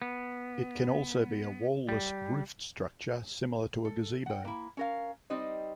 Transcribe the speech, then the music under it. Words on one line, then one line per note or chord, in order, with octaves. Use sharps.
It can also be a wall-less, roofed structure, similar to a gazebo.
B3
G3
A4
F#5 G5
A#3 E4
C#4 A#4 F5
G3 C4 D#4 C5 D#5